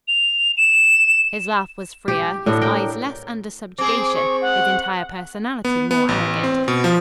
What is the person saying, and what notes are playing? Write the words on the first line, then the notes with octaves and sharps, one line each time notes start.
His laugh was freer, his eyes less under subjugation, his entire personality more arrogant.
F7
E7
G4
A2 D4 F#4
A#4 G5
C4 G#4 D6
C#6
F#5
B3
B3
A1
C4
B2
F3